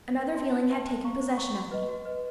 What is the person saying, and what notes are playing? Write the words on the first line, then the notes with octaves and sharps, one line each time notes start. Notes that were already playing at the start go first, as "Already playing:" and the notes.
Another feeling had taken possession of me.
B4
E5 A5 C6
B4
E5 A5 C6
C5
F5 A#5 C#6
C5
F5 A#5 C#6
F#4
B4 D#5
F#4
B4 D#5